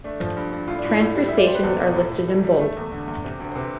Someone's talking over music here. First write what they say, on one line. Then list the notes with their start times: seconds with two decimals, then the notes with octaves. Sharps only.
Transfer stations are listed in bold.
0.04 A3 D4
0.20 F3
0.37 G2
0.53 G2
0.68 A2 F4
0.79 D4
0.85 A2 E4
1.00 A2 F4
1.16 G3
1.29 G3 E5
1.38 D5
1.46 G3 C5
1.55 B4
1.64 E2 A4
1.81 B2
1.95 A2
2.12 A2
2.28 G3
2.44 G3
2.59 A3
2.77 E2
2.92 D3
3.08 E2
3.25 C3
3.40 D2
3.51 C5
3.55 C3 B4